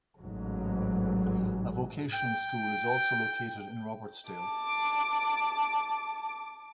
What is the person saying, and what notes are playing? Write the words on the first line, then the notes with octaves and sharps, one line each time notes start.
A vocational school is also located in Robertsdale.
A1 G#2 F#3
G5
A5 D6